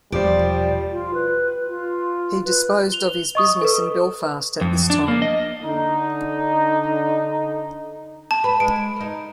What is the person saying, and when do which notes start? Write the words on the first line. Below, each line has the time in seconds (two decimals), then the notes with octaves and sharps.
He disposed of his business in Belfast at this time.
0.12 E1 F3 G3 G4 C5 D5
0.91 F4
1.13 B4
1.67 F4
2.44 B4
2.92 F7 G7
3.35 D#5 C#6 D#6
3.62 A4 B4
4.61 F2
4.90 D4
5.08 A#3
5.22 D#5
5.63 D3 D#4
8.31 A5
8.44 B4
8.60 G#3 D7
8.96 D#4 A#4